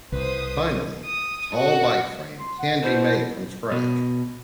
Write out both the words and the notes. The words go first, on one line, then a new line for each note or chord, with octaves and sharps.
Finally, a tall bike frame can be made from scratch.
C2 B4 C5 D#6
D#6
F#4
C6
F#5
B2 E4 C5
B2